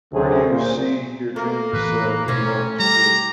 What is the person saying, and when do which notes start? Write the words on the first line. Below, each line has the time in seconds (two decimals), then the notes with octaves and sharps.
where do you see your dreams, uh, being helped with
0.13 D2 C3 F#3 A3 G#4 C5
0.49 A#2 C5
1.36 A3 A#3 A#4
1.73 A2 E3 B4
2.28 B2 A3 C4 C#4 E4
2.80 G3 G4 A#5